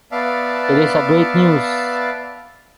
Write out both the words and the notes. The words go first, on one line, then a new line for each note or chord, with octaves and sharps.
It is a great news.
B3 D5 E5 F5 A5